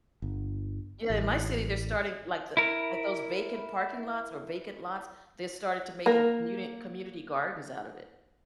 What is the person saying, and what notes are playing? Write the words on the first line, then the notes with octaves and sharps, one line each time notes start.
Yeah, in my city, they're starting like the like those vacant parking lots or vacant lots, they started to making communi community gardens out of it.
G1
A1
E4 A#4
A#3 A#4